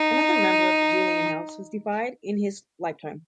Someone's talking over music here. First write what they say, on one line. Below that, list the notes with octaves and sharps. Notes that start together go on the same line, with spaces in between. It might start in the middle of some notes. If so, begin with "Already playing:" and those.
Another member of the Julian house was deified in his lifetime.
Already playing: D#4